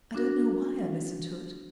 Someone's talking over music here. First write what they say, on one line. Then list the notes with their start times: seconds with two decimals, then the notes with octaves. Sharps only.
I don't know why I listened to it.
0.15 D4 F#4 A#4